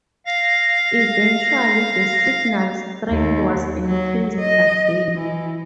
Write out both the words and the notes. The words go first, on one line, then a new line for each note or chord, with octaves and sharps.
Eventually, the signal's strength was increased again.
F5 A#6
D#2
F#3
D#5
E3